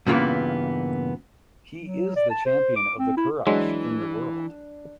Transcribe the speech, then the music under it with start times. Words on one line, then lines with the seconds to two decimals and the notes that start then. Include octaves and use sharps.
He is the champion of the Kurash in the world.
0.07 G2 A#2 C#3 E3 A#3 B3
1.80 F#3
2.16 D5
2.31 A5
2.45 C5
2.76 D6
2.98 C4
3.17 E4
3.47 E3 F#3 G#3 D4